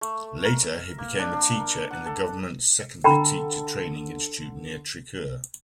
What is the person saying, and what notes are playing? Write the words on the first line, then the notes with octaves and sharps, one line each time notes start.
Later he became a teacher in the Government Secondary Teacher Training Institute near Trichur.
A3
A#4
E5
A#3
D4
D4
A#4
F#5
A4
D3 A4 G5 A#5 B5